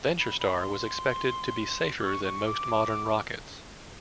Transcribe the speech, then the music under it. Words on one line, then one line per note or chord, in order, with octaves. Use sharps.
VentureStar was expected to be safer than most modern rockets.
B5
B5
C6
D6
C#6
C#6
D6